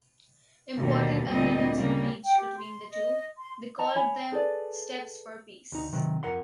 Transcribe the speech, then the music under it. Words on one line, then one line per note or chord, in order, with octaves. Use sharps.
Important agreements were reached between the two, they called them: Steps for Peace.
D#2 B2 D3 G3
D2 A#2 D3 G3 C4 D#5
C#3 G3 A#3
G5
G4
C6
D#5
C6
D#5 F#5 A5 A#5
C#5 G#5 B5
G#4 A4 B4 D5
D2 D#4
C3 D#3 F#3
F2 A#4 F#5 C6